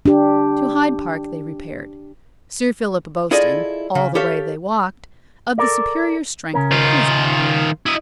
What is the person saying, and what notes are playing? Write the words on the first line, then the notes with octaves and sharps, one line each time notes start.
To Hyde-park they repaired; Sir Philip boasting, all the way they walked, of the superior strength of his head.
D4 G4
E4 F4 G#4 A4 D5 D#5
C#3
G4 A4 C#5 E5 F5
A4 A#4 D5
C#3 C#4 A#4
D#3 F4
E4 D#5